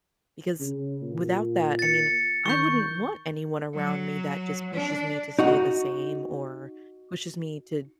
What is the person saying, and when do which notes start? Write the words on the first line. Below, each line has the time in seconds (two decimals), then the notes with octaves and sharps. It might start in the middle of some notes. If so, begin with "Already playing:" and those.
because without that, I mean, I wouldn't want anyone around me that just pushes me to stay the same or pushes me to
0.60 C#3
1.02 A#2
1.79 A6 C#7
2.46 D#3 C#6 G6
3.75 F#3
4.73 D4
5.39 D#4 F#4 F#5